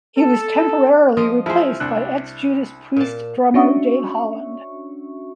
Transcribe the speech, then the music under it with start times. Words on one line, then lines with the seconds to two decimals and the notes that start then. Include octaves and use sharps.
He was temporarily replaced by ex-Judas Priest drummer Dave Holland.
0.17 A4
1.17 F3 F4 D#5
1.46 F3 E4 G#4 C5
1.80 C2 D4 F#6
2.97 A#2 A5
3.54 C#4 D4 F#4 E5 C#6